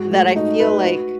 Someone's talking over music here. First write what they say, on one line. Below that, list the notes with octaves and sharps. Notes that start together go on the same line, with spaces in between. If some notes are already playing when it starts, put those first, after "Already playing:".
that I feel like
Already playing: G#2 F#4
A3
D#4
B4
F#4